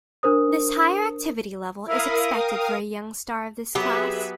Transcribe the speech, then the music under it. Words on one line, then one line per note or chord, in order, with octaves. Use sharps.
This higher activity level is expected for a young star of this class.
D4 A#4 C5 D#6
E4 A#4 F5 D#6
G5
F#3 B3 G4 G#4 B4 E5